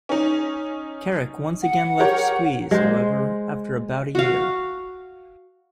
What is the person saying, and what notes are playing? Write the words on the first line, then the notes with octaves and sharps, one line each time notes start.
Carrack once again left Squeeze, however, after about a year.
C#4 D#4
F#5
G4 A#4 C#5
G#3 C5
F#4 F5